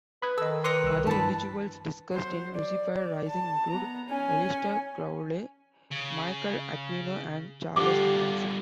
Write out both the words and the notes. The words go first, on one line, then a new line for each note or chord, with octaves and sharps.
Other individuals discussed in "Lucifer Rising" include Aleister Crowley, Michael Aquino, and Charles Manson.
B4 B5 D#6 G#6
D#3 A4 D#5 E6
A#4 B4 C#5 D#5 C6 D6
C2 E6
G2 E3 A5 B5 A6
F#3 C5
D5
D5
A5
B3 A#5
C#4 G#5
C#3
G2 D3 F4 G4 D6